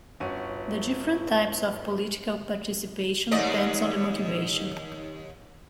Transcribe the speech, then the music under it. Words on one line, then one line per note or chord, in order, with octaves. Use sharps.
The different types of political participation depends on the motivation.
G1 C#4 F#4 D#7
D#2 D5 D#5